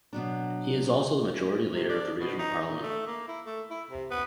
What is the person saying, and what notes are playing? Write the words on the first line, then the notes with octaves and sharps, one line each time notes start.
He is also the Majority Leader of the regional parliament.
B2 F#3 D4
C3
D4
B2
D#4
A#2
A3
A#3
E4
A3
E4
C3
B3